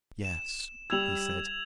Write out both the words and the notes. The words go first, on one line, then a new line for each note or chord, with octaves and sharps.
"Yes," he said.
E7
G3 E6 G#6 F7 F#7